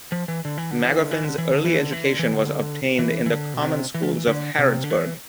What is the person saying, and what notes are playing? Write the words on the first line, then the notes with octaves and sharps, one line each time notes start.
Magoffin's early education was obtained in the common schools of Harrodsburg.
F3
E3
D3
E3
D3
E3
D3
E3
D3
E3
D3
E3
D3
E3
D3
E3
D3
E3
E3
D3
B2
C3
E3
F3
E3
D3
C3
D3
E3